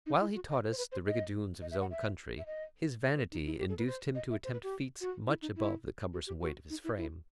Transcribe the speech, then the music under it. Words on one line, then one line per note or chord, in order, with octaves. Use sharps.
While he taught us the rigadoons of his own country, his vanity induced him to attempt feats much above the cumbrous weight of his frame.
D#4
E4
F#4
D#5
C5
B4
C5
D#5
D#5
E5
F#5
E5
E5
D#5
C5
B4
D#4
E4
G4
A4
B4
C5
D#5
E5
C5
B4
G4
F#4
E4
D#4
E4
F#4
G4
F#4
D#4
E4
E4